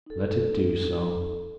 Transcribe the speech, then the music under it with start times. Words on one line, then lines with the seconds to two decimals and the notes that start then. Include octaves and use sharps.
"Let it do so."
0.06 D#4 A4